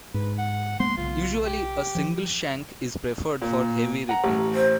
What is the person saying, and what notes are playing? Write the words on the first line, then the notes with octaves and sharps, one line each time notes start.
Usually, a single shank is preferred for heavy ripping.
G#2 B4
F#5
G#3 A#3 B3 C6
B1 C#3 F4
G4
F3
A#2
F#5 A#5
A1
C5